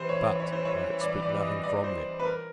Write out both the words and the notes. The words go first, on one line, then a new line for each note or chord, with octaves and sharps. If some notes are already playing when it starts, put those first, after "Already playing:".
But, I expect nothing from them.
Already playing: E3 G3 C4 B4 C5
C#5
C#5
C5
C#5
D5
D5
D#5
D5
C5
B4
A#4